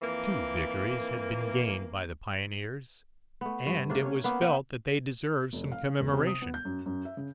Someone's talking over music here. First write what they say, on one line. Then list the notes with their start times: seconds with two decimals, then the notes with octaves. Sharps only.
Two victories had been gained by the pioneers, and it was felt that they deserved some commemoration.
0.02 F2 E3 A#3
3.41 A3 B3
3.67 G2
3.90 C3 A3 A#3 D4
4.03 C#4 C#5
4.24 A#3 B3 B4
4.42 B4 E5 F#5 G5
5.53 F1
5.72 F5
5.85 C#4
6.01 E1
6.13 C3
6.27 D#6
6.42 B3
6.54 G6
6.65 F#2
6.86 F#2
7.05 E5
7.17 C#3